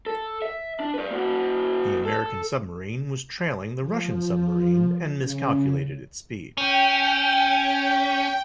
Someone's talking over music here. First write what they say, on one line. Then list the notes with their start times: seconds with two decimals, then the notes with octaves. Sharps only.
The American submarine was trailing the Russian submarine and miscalculated its speed.
0.06 A4
0.42 E5
0.80 D4
0.94 B4 D5
1.11 A#3 F#4
2.05 A4
3.80 F3
5.15 C#3
6.58 C#4 G5